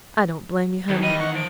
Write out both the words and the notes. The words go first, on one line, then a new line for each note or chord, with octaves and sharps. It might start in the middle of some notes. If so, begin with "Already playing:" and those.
I don't blame you, honey.
F2 D#3 E3
G3 D#5 D#7
C2 F#5 C#6
F3 D7